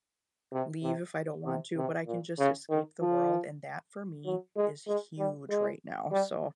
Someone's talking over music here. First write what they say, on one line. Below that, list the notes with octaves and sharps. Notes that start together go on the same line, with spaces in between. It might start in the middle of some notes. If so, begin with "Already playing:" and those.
leave if I don't want to, but I can just escape the world, and that for me is huge right now, so
C3
C3
C3
C3
A#2
C#3
D#3
F3
F#3
G#3
G#3
G3
G#3
G3